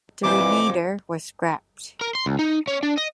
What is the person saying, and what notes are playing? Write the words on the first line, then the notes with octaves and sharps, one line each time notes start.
The remainder were scrapped.
F2 A#2 E3 C5 D6
A#4
C6
C#2
D#4
C#4
D4
D#5